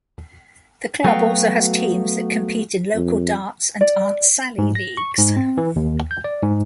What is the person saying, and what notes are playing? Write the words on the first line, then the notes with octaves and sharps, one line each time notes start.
The Club also has teams that compete in local darts and Aunt Sally leagues.
F#3 A3 B3 F#4 F5 G5
F2
D5
G#2
A#6
C#6
G#2
C4
E3
D#2
G6
D5
G#2